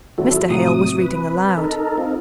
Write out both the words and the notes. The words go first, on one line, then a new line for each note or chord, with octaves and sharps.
Mr. Hale was reading aloud.
G#1 F#3 E4 F#4 A4
A2 C3 F#3 F#4 A#5 D#6
B4
D#4 A4 A#4
C4 D#4 F4